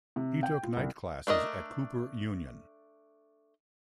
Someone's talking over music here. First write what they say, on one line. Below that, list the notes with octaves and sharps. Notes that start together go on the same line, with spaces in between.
He took night classes at Cooper Union.
C3
G5
F4
C2
A3 D4 A#4 D#5